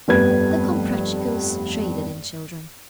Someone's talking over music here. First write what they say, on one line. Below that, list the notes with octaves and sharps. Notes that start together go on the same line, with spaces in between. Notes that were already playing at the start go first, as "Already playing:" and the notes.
The Comprachicos traded in children.
F1 G2 B3 B4 G#6